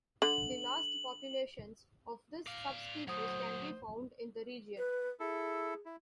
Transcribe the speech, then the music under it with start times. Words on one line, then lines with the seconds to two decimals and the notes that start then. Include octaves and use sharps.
The last populations of this subspecies can be found in the region.
0.22 D3 F#7
2.47 D5 F5
3.08 F#3 A3 C5 F#5 D#6
4.77 B4
5.20 E4 G#4 A4
5.86 E4